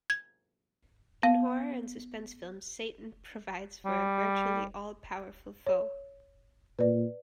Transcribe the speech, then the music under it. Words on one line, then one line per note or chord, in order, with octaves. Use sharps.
In horror and suspense films, Satan provides for a virtually all-powerful foe.
G#6
B3 F5
G3
C#5
A#2 B4 D5